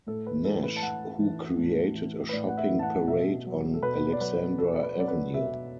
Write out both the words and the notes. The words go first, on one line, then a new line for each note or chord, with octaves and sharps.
Nash, who created a shopping parade on Alexandra Avenue.
A2 A4
B4
E3 A4
B4
A5
A2 F#5
E3
A2
E3
B4
A2 D5
F#5
E5
E3
A5
F#5
B2 E5
F#3
A4
B2 B4
D5
F#3 B4
B2 A4
D5
B4
F#3 D5
B4
B2 E5